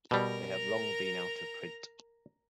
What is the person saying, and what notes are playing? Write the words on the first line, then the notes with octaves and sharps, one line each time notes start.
They have long been out of print.
B2 G3 A#4 A#5